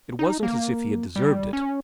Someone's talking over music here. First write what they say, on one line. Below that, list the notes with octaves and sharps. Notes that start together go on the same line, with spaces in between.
It wasn't as if he had deserved it.
D#4
A#3
G3
C#4